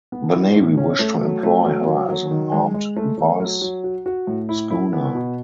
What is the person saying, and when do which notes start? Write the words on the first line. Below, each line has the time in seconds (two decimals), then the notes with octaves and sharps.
The Navy wished to employ her as an armed advice schooner.
0.12 B3
0.34 E4
0.56 A2
0.77 C#4
0.99 A3
1.21 F#3
1.43 A3
1.65 F#3
1.86 F#3
2.09 F#3
2.31 D#3
2.52 G#3
2.74 G#3
2.97 A3
3.18 A3
3.40 F#3
3.62 F#3
3.84 F#4
4.06 F#4
4.27 A2
4.49 E4
4.70 E4
4.93 B3
5.15 B2